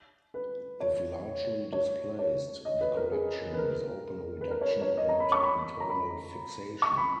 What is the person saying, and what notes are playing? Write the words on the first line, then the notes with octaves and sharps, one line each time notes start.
If largely displaced, the correction is open reduction and internal fixation.
B4
C#5
C#5
C#5
D#5
B4
A#4
G#4
B4
A#4
B4
A#4
C#5
B4
C#5
D#5
A#5
B5
C#6
B5
A#5
B5
C#6
B5